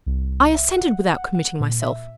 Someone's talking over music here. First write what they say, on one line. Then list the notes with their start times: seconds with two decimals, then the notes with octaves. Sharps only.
I assented, without committing myself.
0.06 C2
0.55 E5
0.78 F#5
1.08 F#5
1.35 F#5
1.60 A#2
1.82 E5